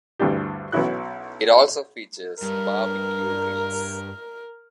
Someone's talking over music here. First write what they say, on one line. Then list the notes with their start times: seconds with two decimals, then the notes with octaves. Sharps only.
It also features barbecue grills.
0.19 D2 G2 E3 D4 G4
0.72 B1 B2 C#4 E4 F#4 F#6
2.42 G2 A#4